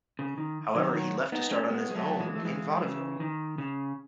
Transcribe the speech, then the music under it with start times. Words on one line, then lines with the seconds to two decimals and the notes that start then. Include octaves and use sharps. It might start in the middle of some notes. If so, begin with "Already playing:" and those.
However he left to start on his own in Vaudeville.
0.19 C#3
0.38 D#3
0.75 D#3 F#3
0.95 D#3 F#3
1.32 B3 D#4
1.51 A3 C#4
1.70 G#3 B3
1.91 G#3
1.95 F#3 A3
2.20 E3 G#3
2.35 A3
2.45 E3 G#3
2.77 F#3
2.83 C#3 E3
3.20 D#3
3.58 C#3